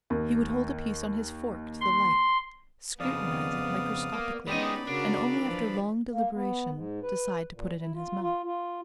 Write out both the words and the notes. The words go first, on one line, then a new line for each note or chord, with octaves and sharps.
He would hold a piece on his fork to the light, scrutinize it microscopically, and only after long deliberation decide to put it in his mouth.
D#2
C6
F2 C#3 B3 D5 F5 D#6
A#3
G#3 B3 C#4 D#4 G4 D5 D#5 B5
C#3 D4 F#4 A#4
E3 F3
A#3
B3
G#2
B4
A#2
E4
F4
F4
F4